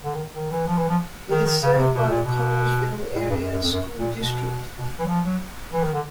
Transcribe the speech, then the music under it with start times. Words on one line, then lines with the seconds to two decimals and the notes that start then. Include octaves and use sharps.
It is served by the Connellsville Area School District.
0.04 D3
0.14 D#3
0.35 D#3
0.51 E3
0.66 F3
0.77 E3
0.88 F3
1.30 D#3
1.46 D#3
1.62 C#3
1.73 C#3
1.77 C3
1.94 B2
2.08 A#2
2.25 B2
3.15 A2
3.19 A#2
3.30 G2
3.35 F2
3.40 F#2
3.52 F#2
3.62 F2
3.72 F#2
3.98 A#2
4.15 B2
4.78 B2
4.99 E3
5.05 F#3
5.08 F3
5.25 F#3
5.73 E3
5.83 D#3
5.93 D3